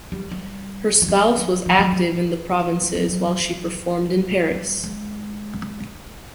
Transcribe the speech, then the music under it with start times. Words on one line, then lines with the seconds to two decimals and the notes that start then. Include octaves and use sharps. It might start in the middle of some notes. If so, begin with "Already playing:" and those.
Her spouse was active in the provinces while she performed in Paris.
0.12 G3
0.31 G3
1.02 F#3
1.08 G3
1.38 F3
1.66 F3
1.79 F#3
1.92 F3
2.82 F#3
2.95 F3
3.09 F#3
3.39 F#3
4.51 G#3
4.55 G3
4.84 G#3